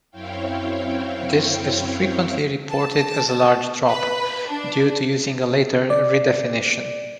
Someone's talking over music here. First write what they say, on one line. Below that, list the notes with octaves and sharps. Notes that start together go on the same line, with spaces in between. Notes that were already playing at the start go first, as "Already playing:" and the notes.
This is frequently reported as a large drop, due to using a later redefinition.
F#2 C4 E4 C#5 F5 G5
A5
B4
D4
D5